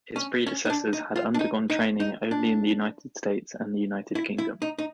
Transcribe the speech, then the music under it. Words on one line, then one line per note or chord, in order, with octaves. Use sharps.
His predecessors had undergone training only in the United States and the United Kingdom.
C#4
C#4
D#4
D4
D#4
F4
D4
D#4
D#4
D#4
D4
E4
E4
D#4
D#4